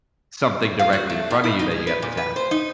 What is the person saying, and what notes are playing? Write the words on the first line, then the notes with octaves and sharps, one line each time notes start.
something directly in front of you that you have to tackle.
F5
F#4
A3
A2
E4
D#4
G#4
B4
A#2
B4
C5
D#4